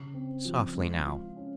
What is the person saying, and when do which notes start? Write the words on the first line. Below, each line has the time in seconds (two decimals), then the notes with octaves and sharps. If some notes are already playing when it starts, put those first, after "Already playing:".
Softly now.
Already playing: C#3
0.14 C4
0.45 F3
0.75 G#3
1.06 F4
1.37 C#4